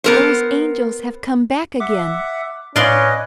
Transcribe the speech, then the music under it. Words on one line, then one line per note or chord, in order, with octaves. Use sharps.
Those angels have come back again.
B3 A#4 C5
E5 F#5 D6
A2 C#4 B4 D5 D#5 F5 C6